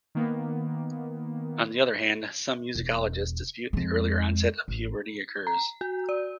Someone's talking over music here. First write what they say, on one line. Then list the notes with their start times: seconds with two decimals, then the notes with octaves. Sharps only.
On the other hand, some musicologists dispute that earlier onset of puberty occurs.
0.15 D#3 A#3 B3
2.75 E1 E2
3.73 F2 G#3
4.68 A1
5.47 A#5
5.81 F#4
6.09 D5